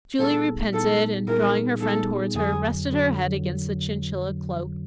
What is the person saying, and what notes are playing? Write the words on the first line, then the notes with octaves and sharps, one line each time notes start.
Julie repented, and, drawing her friend towards her, rested her head against the chinchilla cloak.
A#2 G3 B3 D#4 G#4 A4
A#2 G3 B3 D#4 G#4 A4
A#2 G3 B3 D#4 G#4 A#4
A#2 G3 B3 D#4 G#4 A4
F2 D3 F#3 G#4
D3 F#3